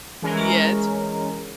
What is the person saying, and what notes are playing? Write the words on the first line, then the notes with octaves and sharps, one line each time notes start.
Yeah, it's fun.
E3 G#3 C#4 A#4